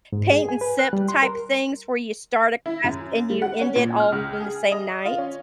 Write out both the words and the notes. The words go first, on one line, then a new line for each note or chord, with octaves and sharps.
paint and sip-type things where you start a class and you end it all in the same night,
G#2
G#4
G#5
B4
F#6
G3
C6
A#4
E4
F#2
G3
F#5
C#4
A#2
F6
C#2
G#4
D#5
F4
C#4